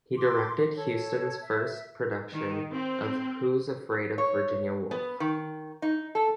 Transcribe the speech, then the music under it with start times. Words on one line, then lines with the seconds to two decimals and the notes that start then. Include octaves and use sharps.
He directed Houston's first production of Who's Afraid of Virginia Woolf?
0.17 C6 D6
0.75 A4 C#5
1.42 E5
2.33 D#3
2.74 C4
4.18 C#5
4.91 B3
5.20 D#3
5.82 D#4
6.15 A4